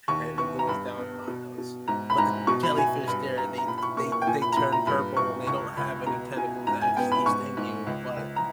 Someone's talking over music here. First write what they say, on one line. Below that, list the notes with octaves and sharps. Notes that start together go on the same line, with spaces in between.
and it goes down miles, but the jellyfish there, they they they turn purple, and they don't have any tentacles that actually sting you, but
D#2 C#6
B3 C#6
A#5
G2 B5
B3
B2
B2
G#2 A#5
B5
G#2 A#5
B2 C#6
B5
B2 G#5
G2 B5
G2 A#5
A#5
A#2 B5
B5
C#6
A#3 C#6
C#6
G5
A#2 G#5
B5
A#5
A#2 B5
A#5
G2 B5
G2 C#6
C#2 C#6
C#2 B5
B2 A#5
B2 G#5
G#2 A#5
G#5
B3 G5
B5
G#2 C#6
G#2
C#2
C#2
A#5